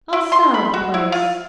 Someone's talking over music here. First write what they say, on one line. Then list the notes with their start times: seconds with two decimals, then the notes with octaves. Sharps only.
"I'll sell the place."
0.13 E4
0.32 C6
0.54 B5
0.74 F#4
0.94 E4
1.12 F4